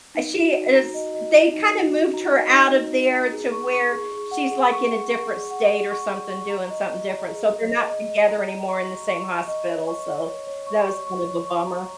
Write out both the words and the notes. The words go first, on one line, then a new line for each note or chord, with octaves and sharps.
she is they kinda moved her out of there to where she's, like, in a different state or something doing something different. So they're not together anymore in the same hospital. So that was kind of a bummer.
D#4
F#4
D#4
A#5
D#5
D#5
D#4
D#4
F#4
D#4
A#5
D#5
D#4
D#4
D#4
A#5
G#4
C#6
C#6
G#4
G#4
F#5
G#4
C#6
G#4
C#6
G#4
F#5
G#4
C#6
G#4
C#6
A#5
D#5
D#5
A#5
G#4
D#5
D#5
D#5
D#5
A#5
A#5
C#6
A#5
C#6
A#5
D#5
C#5
C#6
C#5
C#5
C#5
C#6
C#6
C#6
C#5
C#6
A#5